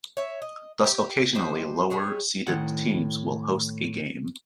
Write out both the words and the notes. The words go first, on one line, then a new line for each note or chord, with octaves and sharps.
Thus, occasionally, lower seeded teams will host a game.
C#5 E5
D#5
G4
F#3 G3 C5 D#5
G3 G#3 G#4 C#5
A2 D#3 F#5